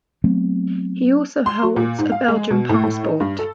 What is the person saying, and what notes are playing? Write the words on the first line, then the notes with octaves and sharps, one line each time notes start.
He also holds a Belgian passport.
F#3 A3 B3 C4
C6
F#3
A#2
G#2
F5
G#3
B2
A2
A2
D#4
G2
A4